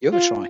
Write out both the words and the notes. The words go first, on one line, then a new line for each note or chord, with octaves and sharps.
You have a try.
F4